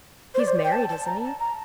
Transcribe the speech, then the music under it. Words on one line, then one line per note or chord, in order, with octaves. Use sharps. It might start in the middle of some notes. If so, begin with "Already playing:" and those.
'He's married, isn't he?
C5
D5
C5
D5
G5
A5
A5
A#5
A5
A#5